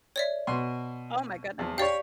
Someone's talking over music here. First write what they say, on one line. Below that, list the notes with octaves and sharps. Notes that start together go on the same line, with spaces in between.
Oh my goodness.
C#5 D5 E5
B2 C6
E2 F3
G4 C#5 D5 F5